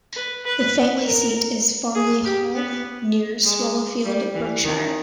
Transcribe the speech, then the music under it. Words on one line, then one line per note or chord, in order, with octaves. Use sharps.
The family seat is Farley Hall, near Swallowfield, Berkshire.
B4
B4
A#4
G#4
G4
B3
G#3
G3
E3
D#3